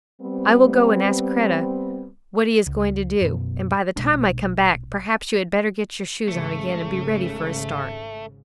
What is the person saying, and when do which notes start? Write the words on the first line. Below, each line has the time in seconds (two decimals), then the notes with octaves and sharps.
I will go and ask Kreta what he is going to do, and by the time I come back perhaps you had better get your shoes on again, and be ready for a start.
0.21 G3 B3 C4
2.67 C#2
3.22 F#2 B2
3.96 A#1 B2 G#3 D4
6.28 G#1 G#2 C#3 A3